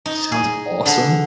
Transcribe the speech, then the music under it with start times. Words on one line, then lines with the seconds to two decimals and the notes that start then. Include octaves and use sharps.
Sounds awesome.
0.06 D#4
0.32 G#4
0.86 D3